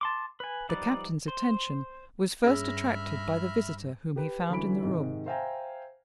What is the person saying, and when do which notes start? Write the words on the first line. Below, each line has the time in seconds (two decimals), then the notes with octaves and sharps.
The Captain's attention was first attracted by the visitor whom he found in the room.
0.01 A5 C6 D6
0.40 B4 G#5
0.69 F3 G3 D#4 B4 D5
1.28 C5
2.44 G2 C#4 G#4 E5 B5 E6 F6 A#6
4.16 G4 B4
4.49 D3 E3 F#3 C#4 B5 D7
4.83 G#2 C3 D#3
5.26 C5 E5 F5 G5 G#5 A#5